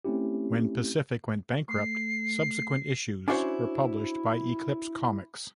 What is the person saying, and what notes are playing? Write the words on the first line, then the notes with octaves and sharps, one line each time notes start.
When Pacific went bankrupt, subsequent issues were published by Eclipse Comics.
A3 C4 C#4 E4 G4
A3 C7
C#4 D4 E4 F#4 C5 C#5